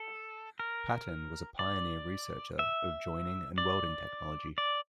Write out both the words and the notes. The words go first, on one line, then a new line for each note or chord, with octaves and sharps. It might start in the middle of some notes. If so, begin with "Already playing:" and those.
Paton was a pioneer researcher of joining and welding technology.
Already playing: A4
A#4
D5
E5
D5
D5